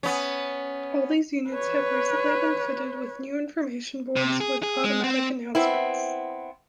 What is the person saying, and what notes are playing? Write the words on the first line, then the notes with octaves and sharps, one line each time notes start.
All these units have recently been fitted with new information boards with automatic announcements.
B3 C#4
B4 C#5
C3
G#4
G#4
G#3
C4
B3 C4 E4